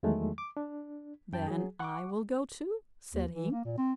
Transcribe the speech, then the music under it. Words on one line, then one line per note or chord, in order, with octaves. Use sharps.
"Then I will go too," said he.
E2 D#3 F#3 G#3 A3
D6
D4
F#2 G5 A5
F#3 G#4
F#5 C#6 D6
D#2
E3
A#3
A#2
C4